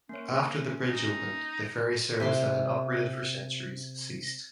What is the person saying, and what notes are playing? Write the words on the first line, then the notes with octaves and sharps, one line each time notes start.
After the bridge opened the ferry service that had operated for centuries ceased.
A#3 C#4 C#5
D#4
C3 E5 C6 D6